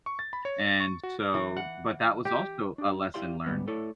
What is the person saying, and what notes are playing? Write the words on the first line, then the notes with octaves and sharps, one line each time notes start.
and so but that was also a lesson learned.
C#6
A6
B5
C#5
A6
C#6
F#4
E3
F#5
G4
D4 G4
E4 G4 D5 F5 C6
G#2 B2 G3 B3
A3 E4 A4 C#5 D5